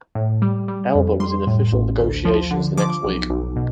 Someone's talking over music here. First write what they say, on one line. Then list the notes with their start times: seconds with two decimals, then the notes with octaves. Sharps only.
Elba was in official negotiations the next week.
0.15 A2
0.42 G3
0.68 G3
0.95 F2
1.20 G3 C6
1.47 A2
1.72 A1
1.99 D2
2.25 F3
2.51 D3
2.77 F3 D6
3.04 B1
3.30 B1
3.56 B2